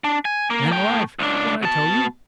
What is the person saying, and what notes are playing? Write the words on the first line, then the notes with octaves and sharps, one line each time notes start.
'Man alive, don't I tell you?
D4
G#5
A#3
A3 G5
C#2 D4
B2 A5